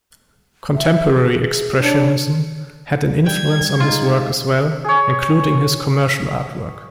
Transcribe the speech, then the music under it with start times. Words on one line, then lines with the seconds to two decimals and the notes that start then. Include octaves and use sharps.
Contemporary expressionism had an influence on his work as well, including his commercial artwork.
0.75 E5
1.16 G#4
1.81 D4 C#5
3.26 G3 G5 G#6
3.80 G#3 D#4 F4
4.84 G#4 C#5